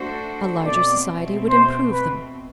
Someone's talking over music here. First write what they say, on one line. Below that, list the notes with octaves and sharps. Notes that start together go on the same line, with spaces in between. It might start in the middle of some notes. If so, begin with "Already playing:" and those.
A larger society would improve them.
Already playing: A3 D4 F#4 A4 C5
B2 A3 C4 D5
C5
B4